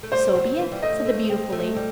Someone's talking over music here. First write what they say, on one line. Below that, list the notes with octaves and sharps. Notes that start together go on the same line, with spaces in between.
"So be it," said the beautiful lady.
A3
G3 C5
F#3
E3
G3
A3 D#5
A3
C4
A3
G3